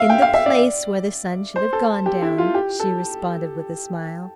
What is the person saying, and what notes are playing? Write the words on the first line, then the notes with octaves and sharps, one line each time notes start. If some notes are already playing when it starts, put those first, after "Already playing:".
"In the place where the sun should have gone down," she responded with a smile.
Already playing: E5 F5
G5
F5
E5
D5
C5
A4
G4
E4
F4
G4
A4